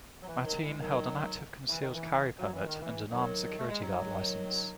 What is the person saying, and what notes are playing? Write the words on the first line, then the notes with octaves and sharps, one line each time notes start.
Mateen held an active concealed carry permit and an armed security guard licence.
F#3
E3
D#3 F#3
E3 G#3
D#3 F#3
E3
D#3
E3
F#3
E3
D#3
E3
D#3 F#3
A3
G#3
D#3 F#3